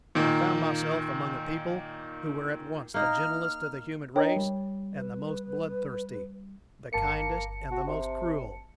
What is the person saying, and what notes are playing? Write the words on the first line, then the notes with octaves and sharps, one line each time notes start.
I found myself among a people who were at once the gentlest of the human race and the most blood-thirsty--the kindest and the most cruel.
A#2 D#3 A#3
A#3 D#4 F6
D4 A#4 C#5 D#5 G5
G3
B4
G1 A#3 A5 C#7
F#4
C3